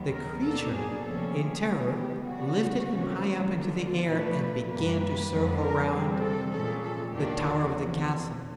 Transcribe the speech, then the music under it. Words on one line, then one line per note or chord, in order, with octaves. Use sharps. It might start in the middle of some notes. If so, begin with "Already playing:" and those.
The creature in terror lifted him high up into the air and began to circle round the tower of the castle.
Already playing: D#2 D#3 F#3 B3
A#4
B2 F#3 A#3 D4 A4
G#4
D2 C3 F3 A#3 C#4 A4
G#4
C#3 E3 G#3 B3
G4
C#3 F#3 B3 D4 F#4
C3 D#3 F#3 A3 C#4
F4
D#2 D3 F#3 B3 D4
F4
A#2 F3 A3 D4 B4
F#2 D#3 G3 A#3 B4
F2 D3 F3 G#3
A#4
C3 E3 G3 C4 G#4
A4
A#2 F3 G#3 C#4 A4
A4
D#2 D#3 F#3 A#3 D4 G4
F#4
E2 C3 F3